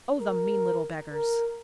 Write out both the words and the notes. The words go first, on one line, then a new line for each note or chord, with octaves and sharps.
"Oh, the mean little beggars!"
A#4
A#4